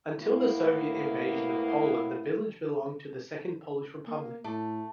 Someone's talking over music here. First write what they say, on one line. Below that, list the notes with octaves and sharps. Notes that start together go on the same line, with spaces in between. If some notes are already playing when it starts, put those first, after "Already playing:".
Until the Soviet invasion of Poland the village belonged to the Second Polish Republic.
A2 A#3 B3 E4
A#3
A2 A3